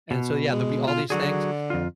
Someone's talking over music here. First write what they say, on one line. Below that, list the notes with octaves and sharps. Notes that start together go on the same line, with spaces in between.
And so yeah, there'll be all these things,
B2
G#3
F4
D3 F#3 F#4 G#4
F2 F4